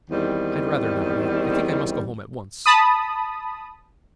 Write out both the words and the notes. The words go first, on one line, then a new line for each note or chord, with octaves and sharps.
"I'd rather not--I think I must go home at once."
E2 D#3 G3 C4
A5 B5 D#6